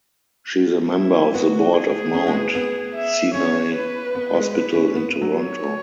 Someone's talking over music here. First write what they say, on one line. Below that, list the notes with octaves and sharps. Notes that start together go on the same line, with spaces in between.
She is a member of the Board of Mount Sinai Hospital in Toronto.
E4
B3 F#4
G#4
C#4
G#3
B3
B3
E5
C#4 C#5
B4
B3
G#3
B3 B4
C#4
B3
B3
F#3
C#5